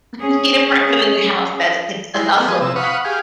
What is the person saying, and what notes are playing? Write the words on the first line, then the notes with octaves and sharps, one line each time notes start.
with cheetah print for the new house that it can is also,
C#4 G#4
G#3 E4 C6
A3 B3 C4
F3 G#4 D#6
C3 E6
F5 F#5 B5 C#6 D#6
G4 G#4 F5